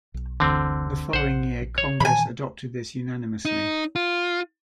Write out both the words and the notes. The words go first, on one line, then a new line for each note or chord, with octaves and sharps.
The following year Congress adopted this unanimously.
B1
F#1 D2 D3 E3 C4
A#1 C5 F#5
C#5
A#2 D#3 E3 G#5 B5
D#4
F4